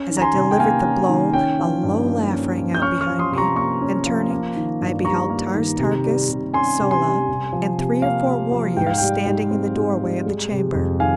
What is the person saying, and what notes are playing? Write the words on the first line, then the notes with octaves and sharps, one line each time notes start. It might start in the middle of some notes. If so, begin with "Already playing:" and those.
As I delivered the blow a low laugh rang out behind me, and, turning, I beheld Tars Tarkas, Sola, and three or four warriors standing in the doorway of the chamber.
Already playing: C#4
D#3
A#5
G#5 C6
C3
G5
A#3 F5 G#5
C#4
D#3
C#4 G5
F3
G2
A#3
C#4
F3
G6
C#4 C#6 F6
C#6 F6
F3
C6 D#6
C3 C6
A#5 C#6
A#3 A#5 C#6
C#4
F3
A#3
D#3
G2
G3 A#5 C#6
A#3
D#3
C3
G3
C3
C#4 G#5 C6
C3
G#5 C6
G3
C3
F3
C3
A#3 F5
C3
F3
G#2 G5
F5
G3 G5
G#2
C4
G#2
G3
G#3
C3
F2
D#3 F5 G#5